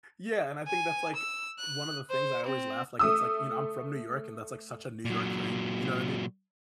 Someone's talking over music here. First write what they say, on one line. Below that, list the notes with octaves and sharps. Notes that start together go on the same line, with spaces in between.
Yeah, and I think that's like one of the things I always laugh, like it's like, you know, I'm from New York and that's like such a New York thing. You know what I mea
G#5
E6
F#6
C5
C4
A3 D#6 E6
A#2 F#3